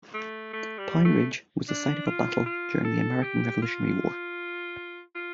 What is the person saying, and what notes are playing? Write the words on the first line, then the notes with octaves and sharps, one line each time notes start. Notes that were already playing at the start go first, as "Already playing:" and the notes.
Pound Ridge was the site of a battle during the American Revolutionary War.
A3
A3
G3
A3
D4
F4
F4
A4
G4
F4
F4